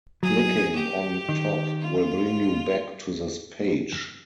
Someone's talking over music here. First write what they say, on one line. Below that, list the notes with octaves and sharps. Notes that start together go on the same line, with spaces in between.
Clicking on "Top" will bring you back to this page.
F#3 G#4
G4
D#3
F4